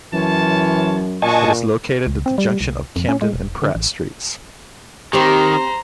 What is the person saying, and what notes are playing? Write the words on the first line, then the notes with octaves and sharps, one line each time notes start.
It is located at the junction of Camden and Pratt Streets.
F#2 E3 F4 C#5 A5
A#2 D4 F#4 D#5 G#5 A5 C#6
C#2
C4
G3
C2
F2
C#4
G#3
E1
D3
A1
D#3 C4 G4 C5 A#5